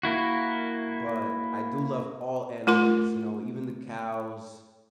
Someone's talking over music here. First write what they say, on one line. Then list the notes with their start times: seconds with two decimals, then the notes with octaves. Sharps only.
but I do love all animals, you know, even the cows,
0.03 A#3 E4 F#4
2.67 A3 F4 A#4 C6